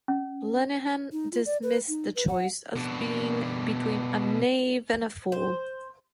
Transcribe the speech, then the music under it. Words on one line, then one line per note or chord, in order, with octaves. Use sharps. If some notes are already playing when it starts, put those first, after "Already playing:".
Lenihan dismissed the choice as being between a "knave and a fool".
C#4
D#4
F4
D5
B4
D#4
B4
F#5
B2 D4
C5